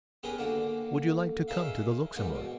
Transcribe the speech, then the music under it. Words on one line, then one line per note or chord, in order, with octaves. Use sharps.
"Would you like to come to the Luxembourg?"
B3 C#4 G4 G#4 A#4 B4
D3 A#3 F#4
C#4 D#4 G#4 A#4 E5 F5
E2 G#2 A#3 D#4
B2